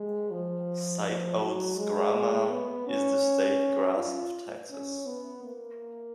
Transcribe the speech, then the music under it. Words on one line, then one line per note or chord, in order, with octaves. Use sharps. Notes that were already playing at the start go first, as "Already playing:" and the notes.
Sideoats grama is the state grass of Texas.
Already playing: G#3
F3
F3
F#3
G#3
B3
C#4
F4
C#4
B3
A#3